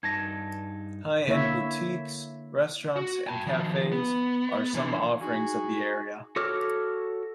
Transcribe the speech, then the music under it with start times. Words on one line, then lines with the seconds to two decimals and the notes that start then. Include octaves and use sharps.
High-end boutiques, restaurants and cafes are some offerings of the area.
0.03 G2 D#4 A5 G#6 A#6
1.27 D3 A#3 E4 C#5 E5
2.96 F#4
3.27 G5 A5
3.47 D#3 F3
3.92 B3
4.75 D3 E3
5.21 D#4 F#4 G#4
6.36 F#4 A4 C#5 D6 F6